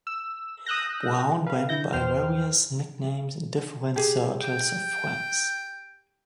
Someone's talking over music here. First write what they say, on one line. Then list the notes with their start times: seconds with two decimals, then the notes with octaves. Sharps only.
Brown went by various nicknames in different circles of friends.
0.07 E6
0.66 D#6 E6 F#6 G6 A#6
1.46 B4 F5
1.69 D3 E4 G6 A#6
1.93 E2 C5 G5 F6
3.96 G4 G#4
4.42 G5